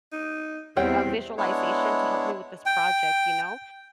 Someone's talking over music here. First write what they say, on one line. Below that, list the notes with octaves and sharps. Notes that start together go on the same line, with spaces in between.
a visualization to help me with this project, you know,
D#4
E2 G3 C4 C#5 F#5 G5
G#3 B3 D4 E4 C#5
G5